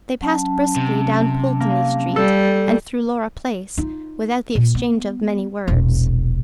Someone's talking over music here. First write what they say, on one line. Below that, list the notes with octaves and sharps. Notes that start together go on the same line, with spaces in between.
They passed briskly down Pulteney Street, and through Laura Place, without the exchange of many words.
F#3 C#4 A5
C3
A#3
G3 A4
D#4 F4
A#2
B3
E1 A#1